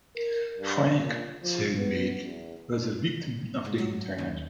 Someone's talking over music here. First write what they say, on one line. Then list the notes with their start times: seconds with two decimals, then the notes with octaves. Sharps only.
"Frank", said Bate, was a victim of the Internet.
0.17 A#4
0.58 G2
0.98 A#2
1.42 F3
1.78 B3
2.22 E2
3.65 G#2
3.78 F#3
4.18 D#2